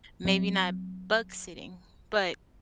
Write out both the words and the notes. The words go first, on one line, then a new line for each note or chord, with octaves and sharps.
maybe not bug sitting, but
F#3 C4